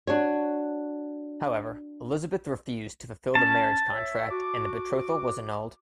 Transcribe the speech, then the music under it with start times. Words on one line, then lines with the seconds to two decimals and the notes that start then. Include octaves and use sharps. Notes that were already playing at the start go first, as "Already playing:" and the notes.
However, Elizabeth refused to fulfill the marriage contract and the betrothal was annulled.
0.07 D4 F#4 C#5
3.35 C#4 A5
3.92 C#5 E5
4.31 F#4 D6